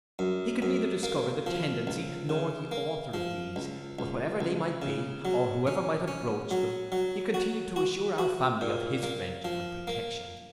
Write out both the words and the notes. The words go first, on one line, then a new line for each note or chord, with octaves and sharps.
He could neither discover the tendency, nor the author of these, but whatever they might be, or whoever might have broached them, he continued to assure our family of his friendship and protection.
F#2
F#2
A#3
F3
C#2
C#3
A#3
F3
C#2
C#2
C#2
C#3
F#3
C#4
C#4
F#3
F#3
F#4
F#4
F#4
A#2
A#3
F3
A#3